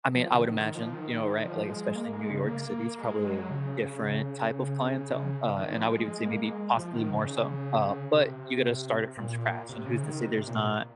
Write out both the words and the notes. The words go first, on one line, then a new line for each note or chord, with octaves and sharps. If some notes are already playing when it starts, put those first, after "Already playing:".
I mean, I would imagine, you know, right? Like, especially in New York City, it's probably a different type of clientele, uh, and I would even say maybe possibly more so, uh, but you gotta start it from scratch, and who's to say there's not
F3
C#3
D#3
D#3
F3
D#3
F3
G#3
A#3
G#3
C#3
A#3
G#3
F#3
G#3
F#3
C#3
D#3
F3
G#3
G#3
A#3
G#3
F3
D#3
C#3
C3
A#2
C3
C#3
D#3
C3
A#2